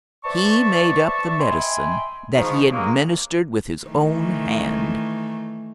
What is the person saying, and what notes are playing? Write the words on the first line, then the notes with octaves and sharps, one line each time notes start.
He made up the medicine that he administered with his own hand.
B4 C5 D5 E5 A5 C#6
D#5 E5 G5 G#5 B5 C6
G#2 B2 D#3 F3
G2 C#3 F#3 G#3 A#3
D#3 E3 A3